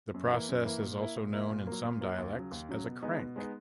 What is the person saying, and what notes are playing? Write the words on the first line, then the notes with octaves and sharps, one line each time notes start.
This process is also known in some dialects as a crank.
F#2
E3 A#3 E4
F#2
E3 A#3 E4
A#2
A#3 E4
A#2
A#3 E4
A#2
F#3 A#3
A#2
F#3 A#3
D#2
C#3 F#3
D#2
C#3 F#3
B2
G#3 B3 D#4
B2
G#3 B3 D#4